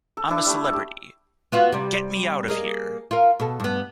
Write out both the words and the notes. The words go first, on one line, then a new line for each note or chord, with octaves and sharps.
I'm a Celebrity...Get Me Out of Here!
A4
D4 E4
G3 A3
G4 A4
B3 F4 F#4
C3 G3
A#3 G#4 D#5
F4 A#4
B2 A4
G2 B3